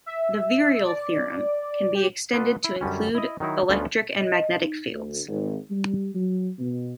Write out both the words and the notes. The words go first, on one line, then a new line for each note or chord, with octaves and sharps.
The virial theorem can be extended to include electric and magnetic fields.
E5
D5
G4
B3 F4 A4 B4 D5
E4
F#2 D3 G3 C#4
E4 D#5
D#3 F#3 D#4 E4
D2 D3 B3 C#4 F4 E5
D#5
D#4
D2
G#1
G3
F#3
B2